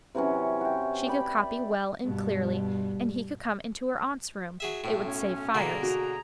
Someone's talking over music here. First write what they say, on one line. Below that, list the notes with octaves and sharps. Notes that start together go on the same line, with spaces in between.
She could copy well and clearly, and he could come into her aunt's room--it would save fires.
C3 E3 F#3 C#4
F#4 G5
D5 E5 G5 B5
G2 B2 G3
F#3 G#4 E5
B1 A2
C#4
B2 D3 A#3 G#4 A#5
F#4